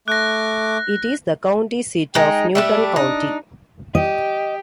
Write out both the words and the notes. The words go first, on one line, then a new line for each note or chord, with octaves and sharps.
It is the county seat of Newton County.
A3 D6 F#6 A#6
G#3 D#4 G5
G3 A3 D4 E5
D4 D#4
G4 D#5